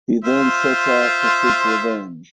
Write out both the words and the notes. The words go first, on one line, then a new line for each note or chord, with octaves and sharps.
He then sets out to seek revenge.
F4 C5 E5